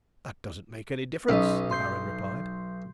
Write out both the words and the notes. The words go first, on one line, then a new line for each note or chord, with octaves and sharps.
"That doesn't make any difference," the Baron replied.
B1 C#4 B4 D#5
C6 G6 C7